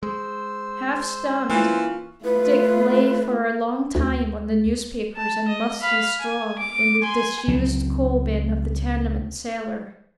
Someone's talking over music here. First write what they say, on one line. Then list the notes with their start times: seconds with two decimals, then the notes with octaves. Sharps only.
Half stunned Dick lay for a long time on the newspapers and musty straw in the disused coal bin of the tenement cellar.
0.03 G#3 C5 E6
1.50 E3 A#3 C#4 F4
2.24 A3 F4 B4
3.95 D2
5.16 A5
5.48 D#5
5.81 F5 B5
6.19 G#5
6.58 D6
7.02 G#5 C6
7.48 C#2 F#3 C4